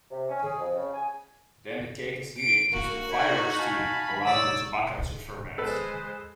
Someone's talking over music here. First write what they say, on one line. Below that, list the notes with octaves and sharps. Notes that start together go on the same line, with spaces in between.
Then the cake is heated using fire or steam, allowing the tobacco to ferment.
C3
C#4
G#4
F2
C#3
G#5
D7
A#3 F#4
D#4 C#5 B5
F5 G#5 A5 B5
D#4 C#5 D5 E6
G#3 A4 B4 C5